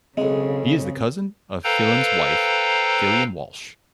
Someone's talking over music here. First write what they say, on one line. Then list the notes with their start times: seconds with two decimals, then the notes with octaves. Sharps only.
He is the cousin of Filan's wife, Gillian Walsh.
0.17 B1 C#3 G#3 C4 A4 D#5
1.64 A4 B4 C5 F5 G5 A#5